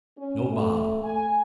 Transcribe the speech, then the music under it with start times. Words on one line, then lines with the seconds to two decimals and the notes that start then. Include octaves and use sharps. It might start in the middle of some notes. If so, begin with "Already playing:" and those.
No Bob.
0.18 C#4
0.49 A3
1.03 G#5